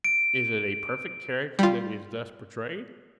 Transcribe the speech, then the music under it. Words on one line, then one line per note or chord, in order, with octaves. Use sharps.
Is it a perfect character that is thus portrayed?
D7
G3 F4